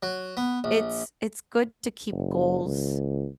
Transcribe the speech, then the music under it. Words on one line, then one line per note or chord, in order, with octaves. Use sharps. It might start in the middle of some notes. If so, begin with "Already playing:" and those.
It's it's good to keep goals
F#3
B3
A#1
F#1
C#2